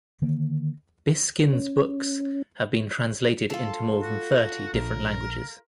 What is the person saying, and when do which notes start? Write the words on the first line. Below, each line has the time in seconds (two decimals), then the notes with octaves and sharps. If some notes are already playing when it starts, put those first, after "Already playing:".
Biskind's books have been translated into more than thirty different languages.
0.22 D3 D#3 A#3
1.53 C#4
3.50 F4 A4
4.02 F#4
4.74 A#1 A#4